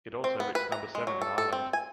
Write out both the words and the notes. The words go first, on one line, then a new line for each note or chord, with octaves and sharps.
It also reached number seven in Ireland.
C4
B3
B4
A#5
G#3
F#3
A4
A4
C4
G#5